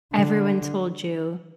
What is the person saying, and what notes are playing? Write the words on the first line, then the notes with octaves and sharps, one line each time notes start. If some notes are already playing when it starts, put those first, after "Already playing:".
everyone told you,
D3